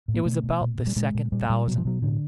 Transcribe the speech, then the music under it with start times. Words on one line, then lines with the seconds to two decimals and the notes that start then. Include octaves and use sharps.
It was about the second thousand.
0.08 A2
0.14 A#3
0.25 B2 A3
0.43 B2
0.61 A#2
0.79 A#2
0.87 G3
0.96 A#2 G#3
1.14 A#2
1.32 A#2 G3
1.50 A#2 G3
1.67 B2 F#3
1.78 F3
1.85 B2 F#3
2.02 A2 D3